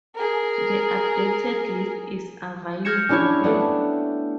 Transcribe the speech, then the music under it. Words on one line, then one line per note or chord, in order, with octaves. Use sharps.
The updated list is available here.
G#4 A#4
F6 G6 G#6 A#6 C#7 E7
C#4 D4 E4 G4 C#5
A3 B3 D4